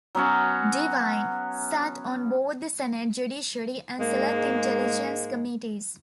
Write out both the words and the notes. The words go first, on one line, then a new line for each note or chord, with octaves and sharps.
DeWine sat on both the Senate Judiciary and Select Intelligence committees.
F#3 B3 C#4 F#4
G#2 G#3 A#3